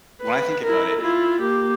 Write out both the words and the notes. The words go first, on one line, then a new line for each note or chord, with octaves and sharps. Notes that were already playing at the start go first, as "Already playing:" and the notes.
when I think about it, uh y you
B4
E4 A#4
E4 F4
A#3 G4